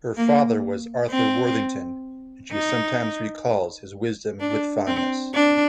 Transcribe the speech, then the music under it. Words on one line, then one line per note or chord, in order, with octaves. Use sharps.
Her father was Arthur Worthington and she sometimes recalls his wisdom with fondness.
A#3
C4
D#4
D4
C4
D4